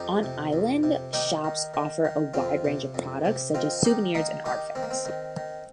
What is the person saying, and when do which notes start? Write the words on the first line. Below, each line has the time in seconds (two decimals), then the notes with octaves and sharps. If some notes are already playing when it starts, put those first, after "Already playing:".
On-island shops offer a wide range of products, such as souvenirs and artifacts.
Already playing: F2 D#4 G4
0.23 C3
0.53 F2
0.83 C3
1.13 D#3 D#4 G4
1.44 D#3
1.74 D#3
2.05 D#3
2.34 F2 C4 F4
2.65 C3
2.94 F2
3.25 C3
3.54 D#3 C4 F4
3.84 D#3 D#4 G4
4.15 D#3 A#3 D#4
4.45 D#3 D#4 G4
4.75 D#3 C4
4.83 A#3
4.91 C4
5.05 D#3
5.36 D#3